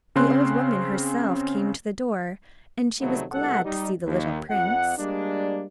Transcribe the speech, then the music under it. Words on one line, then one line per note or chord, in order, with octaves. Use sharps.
The old woman, herself, came to the door, and she was glad to see the little prince.
C#3 C4 C#4 C6 F#6
C3 D#3 F3 F#3 A3 B3
C2 B2 A4 F#5
G3 D#4
D#2
F2 F#5
G3 G#3 A#3 D4